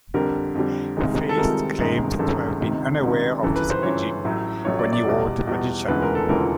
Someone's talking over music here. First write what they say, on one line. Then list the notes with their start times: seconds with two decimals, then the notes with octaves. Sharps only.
Feist claims to have been unaware of this origin when he wrote "Magician".
0.14 F2 D3 G3 A#4
0.55 F2 D3 G3
0.97 C2 C3 D#3 G#3
1.29 A4
1.37 C2 C3 D#3 G#3 A#4
1.78 G1 F#2 D#3 G#3
2.19 G1 F#2 D#3 G#3 A4
2.60 C#2 C3 D#3
3.02 C#2 C3 D#3
3.42 G1 F#2 C#3 E3 A4
3.56 B4
3.70 C5
3.83 G1 F#2 C#3 E3 C#5
4.24 A1 A2 F#3 A3
4.65 A1 A2 F#3 A3 C#5
4.79 D5
4.93 D5
5.06 E2 B2 G3
5.47 E2 B2 G3
5.88 E1 D2 C#3 E3 G#3 B4
6.02 A#4
6.15 A4
6.29 E1 D2 C#3 E3 G#3 A#4